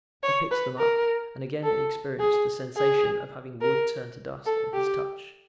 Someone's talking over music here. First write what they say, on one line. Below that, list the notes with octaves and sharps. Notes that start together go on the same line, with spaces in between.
He picked them up, and again experienced the sensation of having wood turn to dust at his touch.
C#5
B4
A#4
A4
G#4
G#4
A#4
A4
G4